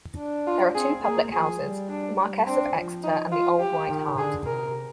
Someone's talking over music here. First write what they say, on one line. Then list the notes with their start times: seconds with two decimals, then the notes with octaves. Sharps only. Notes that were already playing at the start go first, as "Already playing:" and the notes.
There are two public houses, The Marquess of Exeter and The Old White Hart.
0.18 D4
0.47 F4
0.75 C4 G#4
1.04 A#3 G#4
1.32 F3 G#4
1.61 G3
1.89 D4
2.17 G3
2.47 C4 D4
2.75 F3
3.04 D#4
3.32 F4
3.60 G4
3.88 D#3
4.17 D3 G#4
4.46 C3 A#4